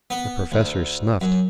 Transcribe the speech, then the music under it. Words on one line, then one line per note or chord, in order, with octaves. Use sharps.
The Professor snuffed.
B3
D2
F#2